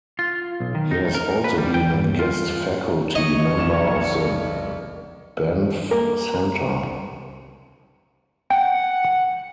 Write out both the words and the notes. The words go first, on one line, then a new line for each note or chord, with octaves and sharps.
He has also been a guest faculty member of The Banff Centre.
F4
B1
D#3
D#4
A#4
B4
G3
G5
G2
F4
C#5 D#5
F1 B1 D5 E7
A#3 A#4
F#5 G5